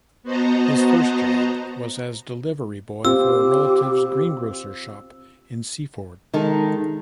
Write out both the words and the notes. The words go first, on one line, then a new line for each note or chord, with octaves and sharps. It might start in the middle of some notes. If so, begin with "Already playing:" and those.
His first job was as delivery boy for a relative's greengrocer's shop in Seaford.
B3 F#4 C5 D#5 A5 A#5
C4 F4 G4 E6
D#3 G#3 D#4 A4